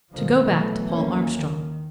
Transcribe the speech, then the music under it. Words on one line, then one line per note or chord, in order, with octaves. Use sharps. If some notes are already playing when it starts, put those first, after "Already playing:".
To go back to Paul Armstrong.
G#2 B2 D#3 F3
B2 E3 F#3 A3 B3
D#2 D#3 E3 A#3 C#4
D#3